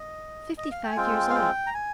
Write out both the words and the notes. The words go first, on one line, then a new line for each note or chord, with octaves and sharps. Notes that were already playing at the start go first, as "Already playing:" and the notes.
"Fifty-five years old."
Already playing: D#5
D#5
F5
G5
G#5
G#3 C4 F4 G5
F5
G5
A#5
G#5